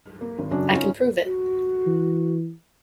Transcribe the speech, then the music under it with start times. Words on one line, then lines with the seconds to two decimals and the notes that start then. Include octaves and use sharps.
I can prove it.
0.21 A#3
0.39 G#1
0.51 F#2 C#3 F#3 C#4 D4
0.71 C#4 D#4 F4 C#5
1.24 F#4
1.86 E3